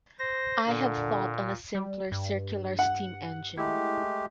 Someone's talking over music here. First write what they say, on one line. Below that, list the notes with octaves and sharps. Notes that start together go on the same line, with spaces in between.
I have thought on a simpler circular steam-engine.
C5 A#6
A#2 D3
G3
G2
F#5
G#3 A3 E4 G4